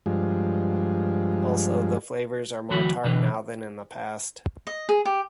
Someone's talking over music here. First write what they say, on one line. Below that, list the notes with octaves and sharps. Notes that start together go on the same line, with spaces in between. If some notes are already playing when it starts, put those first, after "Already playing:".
Also, the flavors are more tart now than in the past.
G2 F3 G#3
D2 E3 F#3 F#4 B5
B2 D3 E3 B4
D#5
G#4
G4